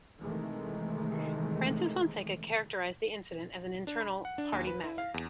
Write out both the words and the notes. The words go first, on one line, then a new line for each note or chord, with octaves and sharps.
Francis Fonseca characterized the incident as an internal party matter.
C3 D#3 E3 G#3 A3
D4
B5
F#5
D4
D#2
B4
E4
F5
E2